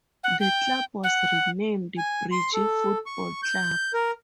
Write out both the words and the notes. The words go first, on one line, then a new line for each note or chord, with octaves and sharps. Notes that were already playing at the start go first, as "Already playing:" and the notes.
The club was renamed "Bridge Football Club".
F#5
G5
F#5
G#5
C6
A4
C#6
G6
A#4